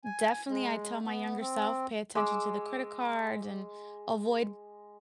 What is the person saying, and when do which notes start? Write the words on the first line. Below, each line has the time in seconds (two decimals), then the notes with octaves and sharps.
definitely I'd tell my younger self, "Pay attention to the credit cards, and avoid
0.04 G#5
0.48 G#3
1.03 B3
1.39 C4
2.15 G#3 D6 E6